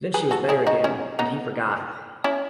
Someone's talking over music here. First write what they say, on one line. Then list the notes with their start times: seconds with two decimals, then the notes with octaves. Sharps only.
Then she was better again, and he forgot.
0.14 G#4 B4
0.31 F#4 A4
0.49 E4 G#4
0.67 D#4 F#4
0.84 C#4 E4
1.19 B3 D#4
2.24 C#4 E4